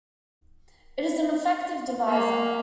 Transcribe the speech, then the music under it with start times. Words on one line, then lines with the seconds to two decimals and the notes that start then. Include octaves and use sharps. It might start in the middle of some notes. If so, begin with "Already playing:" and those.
It is an effective divisor.
2.08 A#3